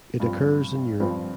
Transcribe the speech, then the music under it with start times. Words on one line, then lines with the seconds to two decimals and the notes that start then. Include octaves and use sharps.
It occurs in Europe.
0.20 G2 F3 C4
1.00 G2 F3 C4